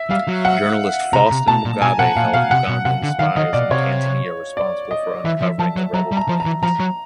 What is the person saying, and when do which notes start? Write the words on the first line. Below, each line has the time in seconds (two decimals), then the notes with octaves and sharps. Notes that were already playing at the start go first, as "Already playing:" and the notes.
Journalist Faustin Mugabe held Ugandan spies in Tanzania responsible for uncovering the rebel plans.
Already playing: E5
0.10 G3 F5
0.28 F#3
0.45 F#5
1.13 C3 A#5
1.31 C3
1.48 B2 A5
1.65 A#2
1.82 B2 G#5
1.99 B2 F#5
2.16 A#2 F5
2.34 B2 F5
2.51 C3 F#5
2.68 B2
2.85 C3 F#5
3.03 D3
3.19 D#3 F5
3.36 D#3 D#5
3.53 B2 D5
3.71 C3 C#5
4.57 D5
4.91 D#5
5.25 E3 E5
5.42 F3
5.59 F3 A5
5.77 F#3
5.94 F#3 A#5
6.12 G3
6.17 A#5
6.29 F3
6.40 A#5
6.46 E3
6.63 F3 A#5
6.80 F#3